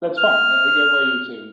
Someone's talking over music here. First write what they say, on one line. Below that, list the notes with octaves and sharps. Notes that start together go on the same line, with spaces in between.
that's fine, I I get why you'd say,
F6